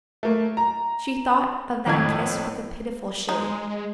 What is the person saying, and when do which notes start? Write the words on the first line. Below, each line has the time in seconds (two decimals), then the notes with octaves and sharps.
She thought of that kiss with a pitiful shame.
0.23 A3 A#3
0.57 A#5
1.86 G#1 F2 A2 G#6
3.29 G#3 D#4